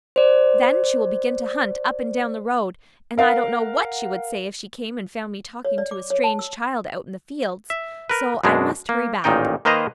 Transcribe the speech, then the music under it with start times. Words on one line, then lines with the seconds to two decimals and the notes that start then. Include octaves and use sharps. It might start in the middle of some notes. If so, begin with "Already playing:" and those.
Then she will begin to hunt up and down the road, and I don't know what she would say if she came and found me talking to a strange child out in the fields, so I must hurry back.
0.16 C5 D5
3.18 A#4 F5 F#5
5.65 C#5
5.78 D5
5.91 D6
6.10 C#5
6.24 A5
6.39 E6
7.70 E5
8.10 A#4 B4
8.44 F#2 B2 G#3 D4
8.89 A#3
9.24 A1 A#2 D#3 D#4 G5
9.65 D#3 A#3 B4 C5 D#5 A#5